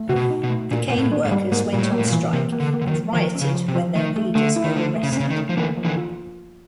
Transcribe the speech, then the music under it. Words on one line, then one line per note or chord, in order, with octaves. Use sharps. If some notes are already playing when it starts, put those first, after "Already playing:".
The cane workers went on strike and rioted when their leaders were arrested.
Already playing: A3
C3 F#4
B2
D#4
B2
A3
A#2 D4
A#2 A#3
A2
D4
G#2
G3
G#2 A#3
A#2 G3
A2
A#3
A2
A#2
E3
C3 A#3
A#3
D3
A#3
D3
D#3
F3
D#3 F3
C#4
C#3
F3
C3
F3
D#3 A3
A3
D3 A3
E4
D#3
D3 A3
A3
C#3
C3
C#3 C#4
D#3
A3
F3
D3 E3 A#3
F3
D3 E3
F4